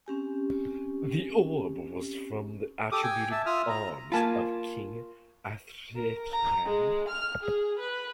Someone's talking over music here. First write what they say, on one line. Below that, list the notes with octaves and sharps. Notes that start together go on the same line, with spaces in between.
The orb was from the attributed arms of King Athelstan.
C4 C#4 G4 G#5
G4 A4 D6 D#6
G5 G#5
E5 A5
F4 E5 D#6 F6
A#5
A#3 F4 G#5 A5 B5
A#4
A#5
G#3
F6
G#4
B4